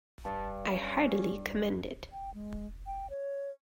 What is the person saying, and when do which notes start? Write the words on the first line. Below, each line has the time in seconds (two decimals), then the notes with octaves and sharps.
I heartily commend it.
0.25 G2 A5
0.65 C#4
2.12 G5
2.34 G#3
2.86 G5
3.10 C#5